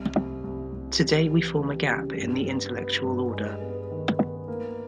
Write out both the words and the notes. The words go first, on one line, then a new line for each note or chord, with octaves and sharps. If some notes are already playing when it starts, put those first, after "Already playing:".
Today we form a gap in the intellectual order.
Already playing: C2
C2
C2
C2
G3
E3
G3
C#3
G2
B3
B3
G2
G#3
B3
D#3
B3
A#3